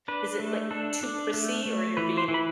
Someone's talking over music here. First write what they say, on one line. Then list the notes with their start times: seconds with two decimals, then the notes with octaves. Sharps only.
is it, like, too prissy or you're being
0.08 D4 B4
0.40 A3
0.71 D4 A4
1.03 D4
1.34 A3
1.65 A3
1.97 E3 B4
2.17 C5
2.28 E3
2.34 B5